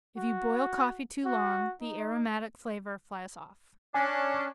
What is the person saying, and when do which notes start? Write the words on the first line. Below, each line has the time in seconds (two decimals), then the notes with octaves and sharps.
If you boil coffee too long, the aromatic flavor flies off.
0.17 F#4
1.25 F#4
1.81 D#4
3.95 C#4 D4 G#5